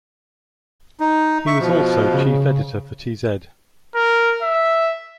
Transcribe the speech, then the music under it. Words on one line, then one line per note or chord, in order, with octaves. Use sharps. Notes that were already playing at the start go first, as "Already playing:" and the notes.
He was also chief editor for tz.
D#4
E5 C#6
B2 F3
C#3
A#4
E5